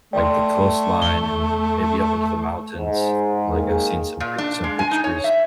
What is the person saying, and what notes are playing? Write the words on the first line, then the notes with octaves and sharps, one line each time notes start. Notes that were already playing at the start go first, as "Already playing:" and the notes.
like, the coastline and then maybe up into the mountains, like, I've seen some pic some pictures.
A3 D5 G5 C6
E2 G7
G#2
D#3 A#3 G#4
A#2
D4
G#3
G#5
D#4
C#5
E5